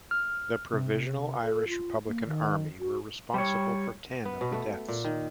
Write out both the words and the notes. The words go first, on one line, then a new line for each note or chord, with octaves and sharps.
The Provisional Irish Republican Army were responsible for ten of the deaths.
F6
C3
A4
F4
A#3
D#3
F#4
G3 C#5
B3
B2
A3
A#2
D#3